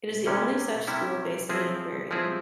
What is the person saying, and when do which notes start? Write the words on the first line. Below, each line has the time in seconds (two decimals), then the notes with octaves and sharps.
It is the only such school based in an aquarium.
0.26 C3 G3 C#4 E4
0.87 C3 G3 C#4 E4
1.49 F3 C4 E4 G#4 C5
2.11 F3 C4 E4 G#4 C5